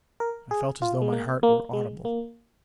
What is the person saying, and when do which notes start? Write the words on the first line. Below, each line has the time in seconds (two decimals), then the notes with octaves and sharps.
I felt as though my heart were audible.
0.20 A#4
0.51 G#4
0.82 F4
1.02 G#3
1.12 A#3
1.43 A#3
1.73 G#3
2.05 A#3